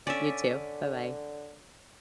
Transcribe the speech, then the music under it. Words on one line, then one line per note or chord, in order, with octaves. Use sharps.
You too, bye-bye.
D3 C#4 D5 E5